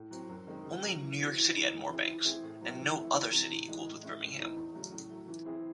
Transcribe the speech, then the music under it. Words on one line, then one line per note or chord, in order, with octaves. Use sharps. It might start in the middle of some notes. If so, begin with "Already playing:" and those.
Only New York City had more banks and no other city equaled with Birmingham.
Already playing: A2
F#3 C4
F#2
D#3 G#3 C4
C#3
F#3 A3
E3
C4 F#4
E3
G#3 D#4
F#2
E3 C4 E4 G#4
E3
A3 C4 E4 G#4
A2
F#3 C4 E4
E3
A3 C4 E4
E2
C3 E3
A2
E3 G#3 D#4 G#4
A2
G#3 C#4 E4
A2
E3 A3 C4 D#4
E2
C#3 F#3 A3
A2
F#3 A3
E3
C4 E4 G#4